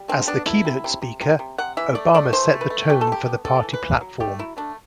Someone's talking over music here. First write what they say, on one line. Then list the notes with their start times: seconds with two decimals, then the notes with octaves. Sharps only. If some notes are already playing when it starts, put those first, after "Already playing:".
As the keynote speaker, Obama set the tone for the party platform.
Already playing: G3
0.08 D3 C4
0.27 B3 D4
0.46 D3 E4
0.65 C3
0.84 C3
1.02 C3
1.22 C3
1.39 C3
1.58 C3 F#5
1.77 E3 E5
1.95 A3 D5
2.14 A3 D5
2.33 E3 C5
2.52 A3
2.61 B4
2.70 A3
2.89 E3 G4
3.01 A4
3.07 C3 G4
3.26 B3
3.45 B3 A4
3.63 E3
3.73 B4
3.83 E3
4.01 F#3
4.20 A3 G4
4.39 F#3 E4
4.57 A3 D4